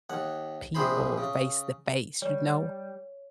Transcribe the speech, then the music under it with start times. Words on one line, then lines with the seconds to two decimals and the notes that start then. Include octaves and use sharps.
people face to face, you know?
0.10 D#2 F#5
0.75 A#1 C3 G#4 C5 B5
1.18 C#3
2.22 G3 C#5